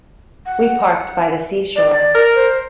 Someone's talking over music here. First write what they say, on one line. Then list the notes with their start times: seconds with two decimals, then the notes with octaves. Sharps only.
We parked by the seashore.
0.46 F#5
1.76 D5
2.15 A#4
2.35 C5